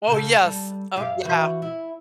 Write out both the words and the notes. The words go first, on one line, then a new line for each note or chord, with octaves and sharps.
Oh, yes. Oh yeah.
C#3 G4 A4
G3 A4
F#2 G4 F5
E3 F#4 C5
E4